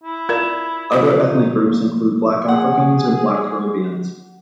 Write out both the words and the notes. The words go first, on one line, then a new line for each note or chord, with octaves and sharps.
Other ethnic groups include Black Africans and Black Caribbeans.
E4
F4 A#4 D5 G#6 E7
F3
D#4
F3 A#3
G#4 F#5